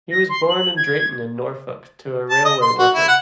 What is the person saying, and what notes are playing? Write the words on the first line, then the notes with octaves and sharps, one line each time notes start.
He was born in Drayton in Norfolk to a railway worker.
A#6
C6
F#7
G#6
A5
D#5
C6
F#4
E4
F#5